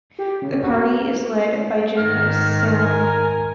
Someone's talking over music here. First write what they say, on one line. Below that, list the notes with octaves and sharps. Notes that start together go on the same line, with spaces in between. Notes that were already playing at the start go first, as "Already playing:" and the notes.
The party is led by Jim Saleam.
G4
C#3
F#4
G#2 D#3 F6
A#4 G#5